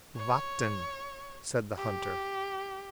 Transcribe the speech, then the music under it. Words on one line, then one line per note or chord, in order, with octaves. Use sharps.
"Vatten," said the hunter.
C#5
G4